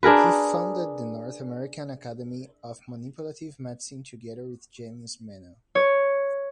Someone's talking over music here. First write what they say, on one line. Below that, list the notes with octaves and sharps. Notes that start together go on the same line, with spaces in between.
He founded the North American Academy of Manipulative Medicine together with James Mennell.
D4 G#4 A#4 B4
C#5